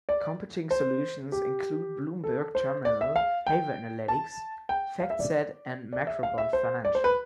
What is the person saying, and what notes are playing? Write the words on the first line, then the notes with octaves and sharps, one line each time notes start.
Competing solutions include Bloomberg Terminal, Haver Analytics, Factset and Macrobond Financial.
D5
C5
G4
A4
C5
D5
E5
F5
G5
A5
G5
F5
E5
D5
D5
E5
F5
E5
C5
D5
C5
B4